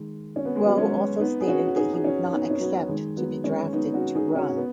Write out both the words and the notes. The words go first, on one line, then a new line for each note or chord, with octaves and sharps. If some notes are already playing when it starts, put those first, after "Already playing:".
Guo also stated that he would not accept to be drafted to run.
Already playing: D#3 G#3
C#4
B3
G#3
F#3 B3
G#3 C#4
B3 D#4
G#4
C#4 F#4
F#4
D#4 G#4
G#4
C#4 F#4
B3 D#4
C#4
F#3 B3
D#3 G#3
F#3 B3
G#3 C#4
B3 D#4
C#4 F#4
D#4 G#4
D#4
C#4 F#4
B3